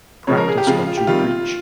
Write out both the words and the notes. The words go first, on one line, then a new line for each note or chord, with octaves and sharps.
Practice what you preach.
C#3 F3 G#3 C#5
A#4
G#4
G4
C#3 F3 G#3 F4
F4
G4
C3 D#3 G3 F4